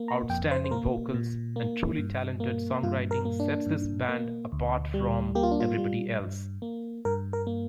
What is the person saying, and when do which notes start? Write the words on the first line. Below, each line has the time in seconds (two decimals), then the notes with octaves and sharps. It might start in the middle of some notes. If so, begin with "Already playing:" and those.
Outstanding vocals and truly talented songwriting sets this band apart from everybody else.
Already playing: A#3
0.08 A#5
0.29 F2 G5
0.51 C5
0.64 C5
0.71 A#3 A#4
1.14 A#2
1.56 A#3
1.98 G2
2.40 A#3
2.83 G2 F4
3.11 A#4
3.25 A#3
3.40 D4
3.67 G2
4.09 A#3
4.52 D2
4.94 G3
5.35 A#3 G4
5.43 F4
5.51 D4
5.60 F4
5.78 G3
6.20 G2
6.62 A#3
7.05 G2 A#4
7.33 A#4
7.47 A#3